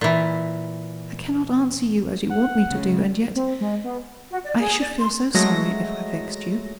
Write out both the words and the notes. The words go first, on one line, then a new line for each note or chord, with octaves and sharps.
I cannot answer you as you want me to do, and yet I should feel so sorry if I vexed you.'
A#2 E3
F#5
C#3 G#3
C4
G#3
B3
F#4
D5
G#4
D5
C6
F#3 G#3 A3 A#6